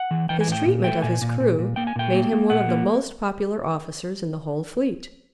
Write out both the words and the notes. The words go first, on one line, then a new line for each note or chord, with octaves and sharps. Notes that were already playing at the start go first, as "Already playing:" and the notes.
His treatment of his crew made him one of the most popular officers in the whole fleet.
Already playing: F#5
E3
E3 G5
G#5
A2 G5
A#2
A3 G5
A#2 G#5
A#2
A#2
A#2
A#3 G5
G#5
A#2 G5
A#3
A#3
A#2 F#5
A#3